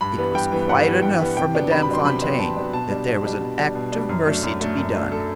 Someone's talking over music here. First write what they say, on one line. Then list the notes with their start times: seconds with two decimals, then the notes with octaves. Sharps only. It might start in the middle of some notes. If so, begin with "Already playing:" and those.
It was quite enough for Madame Fontaine that there was an act of mercy to be done.
0.01 G2 B5
0.18 E3 G3 B3
0.35 G2 G5
0.52 E3 G3 B3
0.69 G2 F#5
0.86 E3 G3 B3
1.02 G2 G5
1.20 E3 G3 B3
1.37 C3 G5
1.54 F#3 B3 D4
1.71 C3 B5
1.82 B5
1.89 F#3 B3 D4 C6
2.05 C3 B5
2.22 F#3 B3 D4
2.39 C3 A5
2.56 F#3 B3 D4
2.73 B2 A5
2.90 G3 D4
3.07 B2
3.24 G3 D4
3.41 B2
3.58 G3 D4
3.75 B2
3.92 G3 D4
4.09 F#2
4.26 F#3 A3 D4
4.43 F#2
4.60 F#3 A3 D4
4.77 F#2
4.94 F#3 A3 D4
5.12 A4